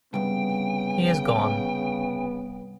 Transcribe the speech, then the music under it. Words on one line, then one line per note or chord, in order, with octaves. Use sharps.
He is gone.
C2 G2 C#3 B3 G5